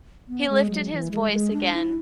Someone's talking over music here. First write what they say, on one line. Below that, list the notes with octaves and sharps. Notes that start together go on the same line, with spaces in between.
He lifted his voice again.
B3
G#3
F#3
E3
G#3
G#3
D4
E4